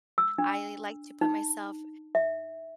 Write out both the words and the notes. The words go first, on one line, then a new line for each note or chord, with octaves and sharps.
I like to put myself
E6
D4
D#4
E5